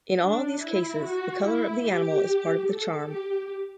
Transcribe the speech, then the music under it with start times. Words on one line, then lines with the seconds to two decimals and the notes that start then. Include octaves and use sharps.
In all these cases the color of the animal is part of the charm.
0.22 D4
0.63 E4
1.04 F#4
1.44 E4
1.86 G4
2.69 A4
3.10 G4